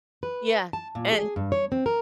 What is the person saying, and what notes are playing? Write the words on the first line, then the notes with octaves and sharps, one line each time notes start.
Yeah, and
B4
A5
A#2
G#4
G2
C#5
C4
A#4